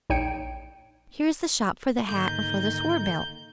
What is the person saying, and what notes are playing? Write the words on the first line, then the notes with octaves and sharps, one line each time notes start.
"Here is the shop for the hat and for the sword-belt."
A#1 D#4 C#5 G5 C#7 D7
G#2 D3 D#3 A#3 D#4 G6